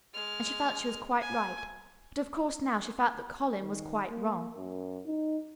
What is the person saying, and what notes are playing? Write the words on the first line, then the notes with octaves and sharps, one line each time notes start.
And she felt she was quite right; but of course now she felt that Colin was quite wrong.
G#3 F6
G#5
D#3
A#3
F#2
D#4